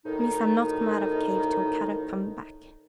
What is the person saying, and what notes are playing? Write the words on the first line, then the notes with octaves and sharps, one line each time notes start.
Missa not come out of cave till Kadok come back.
D2 A2 D#3 D#4